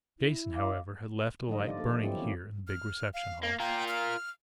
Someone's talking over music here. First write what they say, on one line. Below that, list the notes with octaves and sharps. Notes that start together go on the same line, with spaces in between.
Jason, however, had left the light burning here in the big reception hall.
E4
D#5 F5 D6
D3 F3 G3 A3 D#4 D#5
D4 F4 D5
A#3 A4
F3
F#3 B3 C#4 D4 E4 G4
D#3 E3 A#3 C4
F6
F5
A#3 F5
F4 A#4 G5
F6